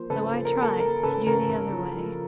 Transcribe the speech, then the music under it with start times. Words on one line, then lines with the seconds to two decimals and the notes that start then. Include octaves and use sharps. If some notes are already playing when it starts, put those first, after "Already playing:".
So I tried--to do the other way.
Already playing: F3 A#3 C5
0.10 C#3 A4 B4
0.33 F3
0.45 A#4
0.57 A#3
0.62 A4
0.80 A#3 A#4
1.03 C#3 A4 B4
1.27 C#3 A#4
1.49 C#3
1.73 F3
1.97 F3